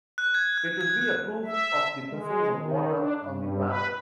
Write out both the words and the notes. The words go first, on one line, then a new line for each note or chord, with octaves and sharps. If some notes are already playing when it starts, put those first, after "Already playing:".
It would be a proof of the presence of water on the planet.
F#6
G#6
F#6
G#6
F#6
E5
G#3
D#3
D4
G2
B4